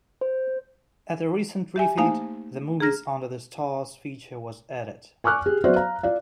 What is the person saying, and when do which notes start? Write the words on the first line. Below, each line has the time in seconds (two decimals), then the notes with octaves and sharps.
At a recent refit, the "Movies under the Stars" feature was added.
0.21 C5
1.76 G4 E5 G#5
1.98 A3 A#3 D#4 C5 F5 G#5
2.80 G#4 A#5 F6 A#6
5.24 G#5 C#6 D6 F6 F#6
5.46 G4 G#4
5.64 F#3 B3 F#4 C5 D5 E5
5.76 F5 A#5
6.03 F4 D5 F5